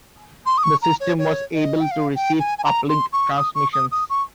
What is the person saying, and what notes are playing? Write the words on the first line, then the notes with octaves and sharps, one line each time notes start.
The system was able to receive uplink transmissions.
C6
D#6
C#6
A#5
C#5
C#5
D#5
G5
F5
G5
G#5
G#5
A#5
C6
C#6
D#6
C#6
D#6
D#6
C#6